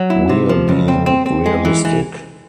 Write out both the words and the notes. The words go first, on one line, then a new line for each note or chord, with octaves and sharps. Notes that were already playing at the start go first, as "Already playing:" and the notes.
We're being realistic.
Already playing: F#3
E4
C3
F3
C#2
C4
C4
C4
G#3
E3
E3